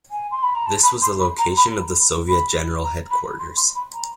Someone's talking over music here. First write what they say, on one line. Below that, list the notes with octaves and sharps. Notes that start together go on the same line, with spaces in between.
This was the location of the Soviet general headquarters.
G#5
C6
B5
A#5
A5
B5
C6
B5
A#5
B5
B5
A#5
B5
C6
C6
B5
A#5